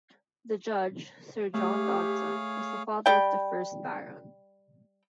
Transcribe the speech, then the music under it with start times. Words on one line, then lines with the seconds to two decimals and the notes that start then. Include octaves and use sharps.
The judge Sir John Dodson was the father of the first Baron.
1.54 A3 G4 G#4 C#5 F5
3.06 G3 G5